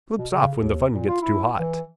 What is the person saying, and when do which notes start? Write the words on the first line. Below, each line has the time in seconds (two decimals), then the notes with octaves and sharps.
Slips off when the fun gets too hot.
0.18 B2
0.32 C#3
0.57 D#2
0.93 A#2
1.08 F4
1.21 E4
1.58 E3